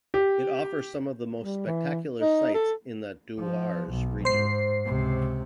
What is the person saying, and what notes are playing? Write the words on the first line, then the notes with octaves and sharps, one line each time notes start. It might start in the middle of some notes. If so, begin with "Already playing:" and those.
It offers some of the most spectacular sights in the Dooars region.
G4
G3
E3
D#4
A4
F3
B1
G#2 C5 C7
C#2 C3